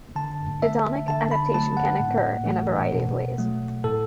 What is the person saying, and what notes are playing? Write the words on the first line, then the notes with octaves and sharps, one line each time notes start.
Hedonic adaptation can occur in a variety of ways.
D3 A5
A3 E5
D3 A5
B5
F#3 A3 A5
F#5
A2
E3 A3
B2
F#3 A3
A2 A4